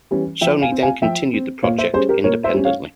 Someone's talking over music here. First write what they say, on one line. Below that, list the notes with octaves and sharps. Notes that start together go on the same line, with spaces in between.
Sony then continued the project independently.
E3 G3 C#4
F3 E5 G5
F5 G#5
C4
F5 G#5
F3 E5 G5
C4
A#2 C#5 F5
C5 E5
G3 C#4 G#4 C5
G4 A#4
A#2 A#4 C#5
C5 E5
G3 C#4
C#5 F5